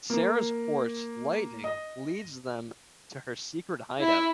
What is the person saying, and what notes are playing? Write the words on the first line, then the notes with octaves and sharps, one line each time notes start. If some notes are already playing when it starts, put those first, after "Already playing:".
Sarah's horse, Lightning, leads them to her secret hideout.
A#3
D#5
E4